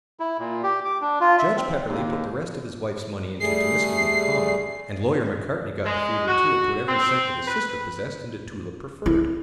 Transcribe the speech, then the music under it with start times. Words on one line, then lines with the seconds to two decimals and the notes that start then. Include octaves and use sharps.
Judge Pepperleigh put the rest of his wife's money into Temiskaming Common, and Lawyer Macartney got the fever, too, and put every cent that his sister possessed into Tulip Preferred.
0.20 E4
0.39 A#2
0.63 G4
0.85 D6
1.01 D4
1.21 F4
1.39 E5
1.57 C4
1.87 D#2
3.41 G3 A3 G#4 C7
5.85 G#3
6.27 F#4
6.88 C4
7.46 B4
9.06 E4